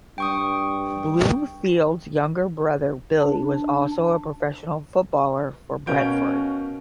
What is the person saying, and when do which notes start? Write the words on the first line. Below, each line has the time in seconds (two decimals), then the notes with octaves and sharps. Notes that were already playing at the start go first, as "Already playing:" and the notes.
Bloomfield's younger brother Billy was also a professional footballer for Brentford.
0.18 G2 G5 C#6 D#6
3.21 D4
5.87 B2 C#4 A#4 F5 G6 D7